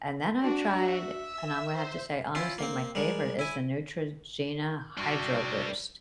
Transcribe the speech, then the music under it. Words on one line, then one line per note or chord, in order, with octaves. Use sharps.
and then I've tried and I'm gonna have to say honestly my favorite is the Neutrogena Hydro Boost,
D4 F#4
E5
E6
C5
C#4 E4 F4
A#3 C4
G3 G#3 A#4
E4 G#5
C3 G3 D4 F#4